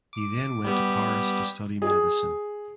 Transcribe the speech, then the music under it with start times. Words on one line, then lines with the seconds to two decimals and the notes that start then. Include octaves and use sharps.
He then went to Paris to study medicine.
0.13 D6
0.64 G3 B3 G4
1.82 G#4